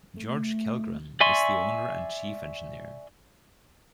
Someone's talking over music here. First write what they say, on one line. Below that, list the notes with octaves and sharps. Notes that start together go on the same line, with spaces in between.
George Kellgren is the owner and Chief Engineer.
A3
D5 E5 G#5 C6 C#6